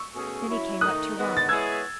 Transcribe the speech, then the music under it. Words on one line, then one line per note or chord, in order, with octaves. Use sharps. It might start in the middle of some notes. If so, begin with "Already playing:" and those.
Then he came up to Ronald.
Already playing: C#6 E6
B2 A3 C#4 G#4
F#3 C#4 E4
D#3 A3 D#4 D#6 F#6
D#3 G#3 B3 F#4
A6
G#3 B3 E4 G#4 C#5 E6 G#6